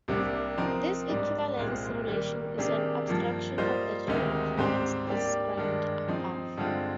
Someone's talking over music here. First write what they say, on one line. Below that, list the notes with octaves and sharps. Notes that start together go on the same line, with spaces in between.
This equivalence relation is an abstraction of the germ equivalence described above.
C2 C3 G3 A#3 D4
F3 C4 D#4 A#4
G#2 G3 D4
C2 A#2 G#3 C4
D#3 G3 A#3
C3 D#3 A#3 D4 G#4
G2 F3 A#3
G3 A#3 F4 C5 D#5
D2 C3 D#3 G#3 D#4
G#2 G3 C4 G4 C5
G3 A#3 D4 G4 D5
G2 D#3 G#3 D4
F3 C4 D#4
G2 D3 G#3 C4 F4